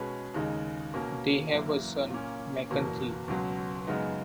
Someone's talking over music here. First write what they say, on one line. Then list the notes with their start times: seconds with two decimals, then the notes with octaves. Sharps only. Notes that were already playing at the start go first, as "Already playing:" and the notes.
They have a son, Mackenzie.
Already playing: B2 G#3 C#4 G#4 B4
0.34 D#2 C#3 G#3 D#4
0.94 B2 A#3 C#4
1.52 F#1 F#2 E3 A#3 E4
2.10 A#2 A#3 C#4
2.70 F#1 E2 B2 A#3
3.28 C#2 B2 F#3 B3
3.87 F#2 C#3 G#3 B3 D#4